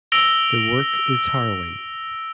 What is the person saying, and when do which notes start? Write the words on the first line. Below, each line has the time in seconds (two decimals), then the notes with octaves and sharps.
The work is harrowing.
0.12 E6 A#6 D7 F7 G7